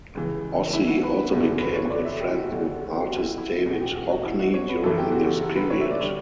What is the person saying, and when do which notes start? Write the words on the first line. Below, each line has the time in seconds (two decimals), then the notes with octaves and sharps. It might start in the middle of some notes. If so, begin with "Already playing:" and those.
Ossie also became good friends with artist David Hockney during this period.
0.15 C#2 C#3 E3
0.73 E4
0.87 F#4
1.03 B4
1.32 F#1 E2 D3 F#3
1.62 B4
1.76 C#5
1.90 D5
2.05 E5
2.20 G4
2.28 E4
2.34 F#4
2.49 D2 D3 F#3 B3
2.79 F#4
2.93 G4
3.08 F#4
3.17 E4
3.38 E4
3.66 E2 B2 A3 F#4
3.81 G4
3.95 F#4
4.10 F#4
4.25 E4
4.39 F#4
4.54 C#5
4.69 B4
4.83 F#1 F#2 E3 A3 A4
4.98 G4
5.12 F#4
5.23 F#4
5.27 G4
5.42 A4
5.56 B4
5.70 C#5
5.81 E5
5.90 D5
6.00 D3 G3 C#5